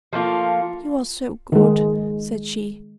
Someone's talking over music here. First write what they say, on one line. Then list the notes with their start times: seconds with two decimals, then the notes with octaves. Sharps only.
"You are so good," said she.
0.13 F3 A3 A#3 F4
1.52 D#3 G#3